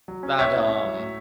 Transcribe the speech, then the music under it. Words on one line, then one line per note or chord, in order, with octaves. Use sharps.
but, um,
F#3
C#4
C#4 C#5 E5
E4
C#4
F#3
A2